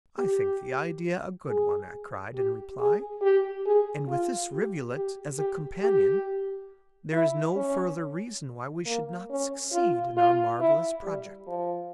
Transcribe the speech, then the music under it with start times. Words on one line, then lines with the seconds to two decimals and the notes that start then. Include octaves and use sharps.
"I think the idea a good one," I cried in reply, "and with this rivulet as a companion, there is no further reason why we should not succeed in our marvelous project."
0.18 G4
1.48 G#4
2.36 G4
2.79 G#4
3.22 G4
3.66 G#4
4.08 F4
4.53 G4
4.96 G4
5.39 G4
5.82 G4
7.12 E4
7.56 C#4
8.86 A#3
9.30 C#4
9.73 F4
10.17 F4
10.60 E4
11.03 G3
11.47 F3